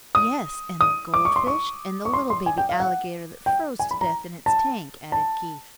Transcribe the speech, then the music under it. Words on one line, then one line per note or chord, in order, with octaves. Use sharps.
"Yes, and the gold-fish, and the little baby alligator that froze to death in its tank," added Keith.
D#6
D#6
D6
C#6
C6
C#6
C#6
C6
C6
G#5
G5
F5
F#5
G5
G#5
B5
A#5
A5
A5